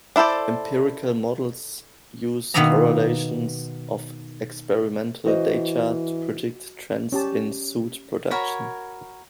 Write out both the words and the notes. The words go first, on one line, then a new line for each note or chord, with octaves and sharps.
Empirical models use correlations of experimental data to predict trends in soot production.
D4 E4 A4 C5 D5
B2 D#3 A#3 B3 E5 A#5
E3 F#4 C5 D#5
C#4 G4 A5
F#4 A#4 C#5 B5